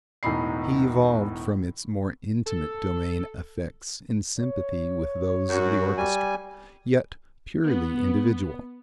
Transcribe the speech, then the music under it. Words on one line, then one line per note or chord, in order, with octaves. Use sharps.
He evolved from its more intimate domain effects in sympathy with those of the orchestra, yet purely individual.
E1 A2 D#4 B5 C7
A4
C#5
F#2 F#4
G3 G#5
B3